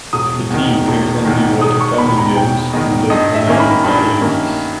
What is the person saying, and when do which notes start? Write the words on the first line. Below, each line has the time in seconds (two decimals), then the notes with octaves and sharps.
The team came from the Watertown Indians and the Oneonta Yankees.
0.13 E1 D#6
0.50 E2 D#3
0.88 E1
1.25 E2 D#3
1.61 E1 D#6
1.81 C#6
1.98 E2 D#3 B5
2.18 A#5
2.36 E1 G5
2.73 E2 D#3 D#5
3.10 G2 D#5
3.35 E5
3.47 D#3 A#3 C#4
3.60 B5
3.84 G2 B5
4.21 D#3 A#3 C#4